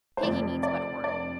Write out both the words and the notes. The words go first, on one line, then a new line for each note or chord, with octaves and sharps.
Piggy needs but a word.
C5
F1 F2 F3 D5
D5
D5